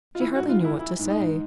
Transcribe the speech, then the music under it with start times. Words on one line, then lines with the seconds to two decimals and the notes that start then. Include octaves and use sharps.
She hardly knew what to say.
0.15 F4
0.20 E3 E4
0.35 F#4
0.40 G#2
0.49 F4
0.60 E3 E4
0.79 E3 E4
0.99 G#2
1.10 D#4
1.20 G#2